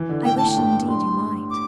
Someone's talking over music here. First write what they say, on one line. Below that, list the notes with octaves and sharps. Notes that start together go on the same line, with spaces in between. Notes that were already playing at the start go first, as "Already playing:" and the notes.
"I wish indeed you might."
Already playing: E3
D3
A2 G5
A5
A2
G5
G2
A2
G2 C6
D6